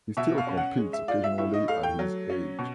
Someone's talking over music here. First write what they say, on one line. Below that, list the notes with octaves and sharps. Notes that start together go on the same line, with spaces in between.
He still competes occasionally at his age.
B2 E5
F5
C#4
F#5
G#3
E5
F4 D5
E5
A2 E5
D#5
A3 F5
G5
F#3
C#4
B2